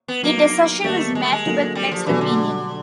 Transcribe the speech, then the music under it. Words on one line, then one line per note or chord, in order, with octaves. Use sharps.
The decision was met with mixed opinion.
B3
F#3 A#3 B3 D#4
D#3 G3 A3 A#3 D#4
G#3
A3
G#3
D3 F#3 A#3
G3
F3
B2 E3 F#3 A3 D4
D3